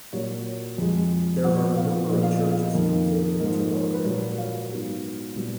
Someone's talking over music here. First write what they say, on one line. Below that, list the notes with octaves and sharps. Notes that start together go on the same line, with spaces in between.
There are a number of churches in Kirkintilloch.
A#2 F#3 A#3 C#5
F2 F3 G#3
A#2 F3 B3 F#5
F5
A#2 F3 B3 D#5
F5
D#5
F5
D#5
F2 D#3 A#3
G#2 F3 A#3 D#5
C#5
B4
A#2 F#3 A#3 C#5
F5
G#2 F#3 B3
A#2 F#3 B3